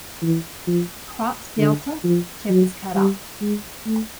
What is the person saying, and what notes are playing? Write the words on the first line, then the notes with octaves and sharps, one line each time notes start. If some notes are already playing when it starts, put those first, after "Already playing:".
Cropped delta - tip is cut off.
E3
F3
D3
F3
F#3
G3
G#3
A3